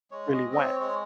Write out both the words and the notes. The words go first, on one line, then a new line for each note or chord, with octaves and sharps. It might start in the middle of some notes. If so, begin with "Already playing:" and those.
really went,
G#3 C#5
D#5
C4
D#5
C#5
G#3 C#5